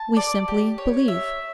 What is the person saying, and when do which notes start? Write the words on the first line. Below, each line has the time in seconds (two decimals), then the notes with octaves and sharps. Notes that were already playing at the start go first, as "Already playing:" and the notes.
We simply believe.'
Already playing: A5
0.17 D5
0.48 G4
0.78 C#5
1.08 E5